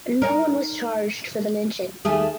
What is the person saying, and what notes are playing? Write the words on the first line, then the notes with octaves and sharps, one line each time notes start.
No one was charged for the lynching.
D#4 A#4
D#2 A3 G#4